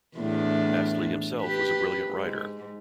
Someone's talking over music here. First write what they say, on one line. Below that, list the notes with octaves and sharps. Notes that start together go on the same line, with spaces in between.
Astley himself was a brilliant rider.
E2 A2 D4
G4 B4
G#2